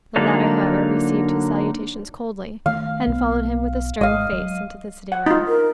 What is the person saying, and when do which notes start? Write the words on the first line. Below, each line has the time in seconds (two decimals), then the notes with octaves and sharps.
The latter, however, received his salutations coldly, and followed him with a stern face into the sitting-room.
0.16 D3 F#3 A#3 D4 D#4
2.66 D#3 A3 F5
3.06 B1 B3
4.01 G#1 G#3 D#5 F5
4.33 F#3
5.12 F#5
5.26 D#4 F4
5.48 A#4